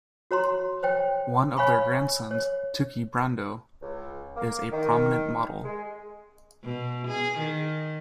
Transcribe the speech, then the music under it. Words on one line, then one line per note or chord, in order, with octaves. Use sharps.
One of their grandsons, Tuki Brando, is a prominent model.
F#4 C#5 A#5 C6
C5 C#5 G5
C#5 F5 G#5 B5 C#6
C#5
C#2
A#3
D#3
G#3
B2
G#4
D#3